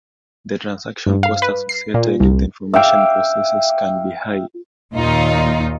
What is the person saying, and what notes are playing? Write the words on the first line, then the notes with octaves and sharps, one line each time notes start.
The transaction cost associated with information processes can be high.
G2
F5
B4
C7
A#2
C2
E5 F5 G5 D6
D#2 A#2 D#4 F4